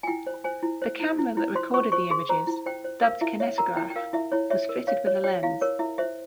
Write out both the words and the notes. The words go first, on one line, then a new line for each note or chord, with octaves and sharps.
The camera that recorded the images, dubbed "Kinetograph", was fitted with a lens.
G#5
E4 G5
C5
C5 G#5
E4
C5
E4
E4
E4
C5 C6
C5 C#6
C5 C#6
G#4 C6
C5 A#5
E4
C5 G5
C5
A#4 F5
E4 E5
C#5 E5
A#4 A#5
E4 G5
G5
A#4 F5
E4 E5
E4 C#5
C#5 E5
A#4
C#5 F5
C#5
C#5 G5
E4 F5
A#4 C#5
E4 E5
C5 E5